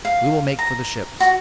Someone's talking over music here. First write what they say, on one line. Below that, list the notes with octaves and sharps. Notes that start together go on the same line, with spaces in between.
We will make for the ships.
F5
A#5
F#4